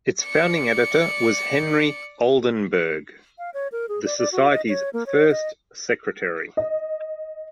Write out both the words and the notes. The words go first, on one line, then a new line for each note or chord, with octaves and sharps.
Its founding editor was Henry Oldenburg, the society's first secretary.
D5 C#7
F5
C#5
A#4
G#4
D5
D5
F#4
D#5
C#5
A#3
C#5
D#5
D#5